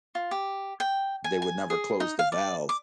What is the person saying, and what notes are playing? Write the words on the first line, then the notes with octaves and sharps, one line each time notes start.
they would never close the valve,
F4
G4
G5
G#5
G#5
G#4
D#4
F5
D5
D6